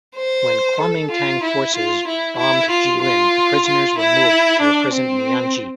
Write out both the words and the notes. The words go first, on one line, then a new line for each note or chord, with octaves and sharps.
When Kuomingtang forces bombed Jilin, the prisoners were moved to a prison in Yanji.
C5
A4
F4
E4
F4
E4
E4
F4
F4
F4
E4
D4
C4